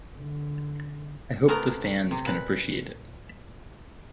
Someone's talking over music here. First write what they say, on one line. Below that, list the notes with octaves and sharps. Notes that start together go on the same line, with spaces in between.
I hope the fans can appreciate it.
D3
C3 A3 B3 A#4
C3
A#2 B4